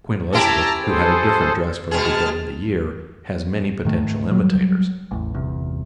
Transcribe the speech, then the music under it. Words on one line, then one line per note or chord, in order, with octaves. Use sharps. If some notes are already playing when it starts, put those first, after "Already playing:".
Queen Elizabeth, who had a different dress for every day in the year, has many potential imitators.
C#4 E4 G4 A5 A#5
G#4 A4 C5
B2 G#3 G#4 A5 F6
G#2 D#3 A3
F#3 G3
A1 E2
G1 E2 C3